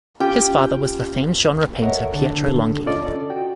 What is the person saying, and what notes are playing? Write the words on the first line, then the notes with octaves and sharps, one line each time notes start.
His father was the famed genre painter Pietro Longhi.
C#4 F4 G4 G5
A4 A#4 C#5 D#5 E5 F#5
D3 D4 A4
C#4 F4 A4 D5 D#5
F#4 G5